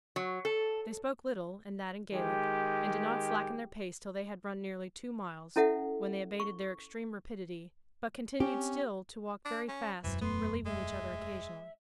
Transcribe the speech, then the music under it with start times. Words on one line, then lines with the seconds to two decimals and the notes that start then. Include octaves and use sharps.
They spoke little, and that in Gaelic; and did not slacken their pace till they had run nearly two miles, when they abated their extreme rapidity, but continued still to walk very fast, relieving each other occasionally.
0.16 F#3
0.45 A4
2.13 D#3 G#3 G4
5.56 C#4 E4 A4 E5 F#5
6.40 C#6
8.40 C4 C#4 G4
9.45 D4
9.68 C#4
10.04 E1 F#2 E3 C5
10.21 A3 B3 C6
10.66 G#3 E5